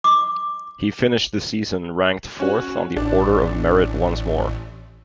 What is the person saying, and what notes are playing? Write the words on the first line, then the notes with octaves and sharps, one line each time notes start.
He finished the season ranked fourth on the Order of Merit once more.
D6
C#4 F#4
A1 D4